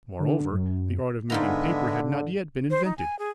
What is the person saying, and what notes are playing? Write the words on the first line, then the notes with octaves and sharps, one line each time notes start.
Moreover, the art of making paper had not yet been invented.
D3
F#2
G#2 D3 G#3 B3 F4 E5 A#5
C5
D#4
G#5
G#4